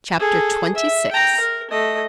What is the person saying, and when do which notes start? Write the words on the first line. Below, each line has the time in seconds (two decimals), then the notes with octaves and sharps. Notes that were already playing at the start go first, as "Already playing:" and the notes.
Chapter XXVI.
0.20 G#4 A4
0.75 E5
1.11 G5 A#5
1.40 A#4
1.70 A3 D#5